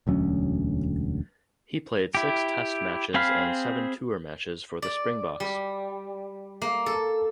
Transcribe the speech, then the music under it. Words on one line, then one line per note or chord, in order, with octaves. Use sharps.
He played six test matches and seven tour matches for the Springboks.
E1 D2 F#3 C#4
E4 G4
C4 G#4 F5 B5 F6
D5
G3
A#3
A4